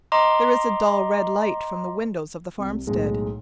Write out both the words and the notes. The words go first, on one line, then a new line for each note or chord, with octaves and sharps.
There is a dull red light from the windows of the farmstead.
D#5 A#5 C6 D6
C2
B1 A2 G#3